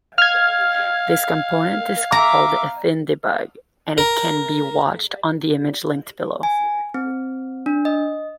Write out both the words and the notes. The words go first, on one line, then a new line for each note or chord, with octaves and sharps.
This component is called thinDebug and can be watched on the image linked below.
F5 F6 G#6
E5 A#5 D6
A#4
G#5
C4
D4
D#5